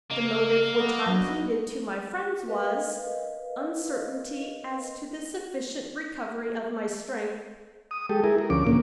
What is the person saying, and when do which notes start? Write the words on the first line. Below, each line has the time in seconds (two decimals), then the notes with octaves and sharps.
The motive which I pleaded to my friends was--uncertainty as to the sufficient recovery of my strength.
0.11 C#3 A#3 D#5
0.79 B3 D#5
1.06 F#3 D4 F#4
2.48 A#4 B4 D#5 F5
7.91 D#6
8.09 G#3 G4 A4
8.24 E4 G#4 A#4
8.38 A#4
8.50 D2 F3 C#4 D6
8.67 A#2 A#3 C#4